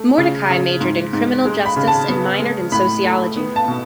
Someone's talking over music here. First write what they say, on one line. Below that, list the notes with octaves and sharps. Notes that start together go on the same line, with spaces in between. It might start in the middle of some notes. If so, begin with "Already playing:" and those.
Mordecai majored in criminal justice and minored in sociology.
Already playing: A3
C#3
C#3
G#2
G#2
G#3
B5
C#3
A5
B3
G#3
A2 B5
A3
B3
A5
B2